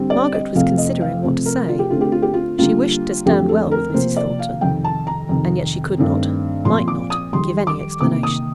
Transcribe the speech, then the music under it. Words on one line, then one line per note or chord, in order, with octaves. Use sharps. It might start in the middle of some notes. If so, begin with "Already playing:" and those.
Margaret was considering what to say; she wished to stand well with Mrs. Thornton; and yet she could not, might not, give any explanation.
Already playing: D3 G3 C4
D5
D#5
F2 C3 F3 A3 C4 F5
D#5
F5
C3 F3 A3 C4
A#4
F4
G4
D3 A3 C4 F4
G4
F4
G4
F4
D3 G3 A#3 F4
F2 D3 F3 A3 C4 G4
A4
A#4
C3 F3 A#3 C5
D5
F5
F2 C3 D#3 G5
A5
A#5
F2 C3 D#3
G2 D#3 A3 C4
A#2 F3 C4 C6
D6
D#6
F2 D#3 G3 C6
D6
C3 D#3 A#3 D6
D#6